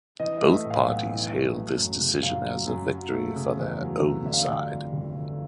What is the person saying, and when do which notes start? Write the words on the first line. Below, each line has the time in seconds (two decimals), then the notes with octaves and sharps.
Both parties hailed this decision as a victory for their own side.
0.20 E3 D#5
0.37 E5
0.43 A3
0.53 E5
0.65 A2
0.70 F5
0.87 B1 F#5
1.10 E3
1.32 A3
1.55 F#3
1.77 F#2
2.00 C#3
2.23 F#2 F5
2.46 F#3
2.67 F#2
2.90 F#3
3.12 A3
3.36 C#3
3.57 E2
3.80 F#3
4.03 A3
4.25 D3 E5
4.33 F5
4.40 E5
4.48 G1
4.71 F2
4.93 G1
5.15 D3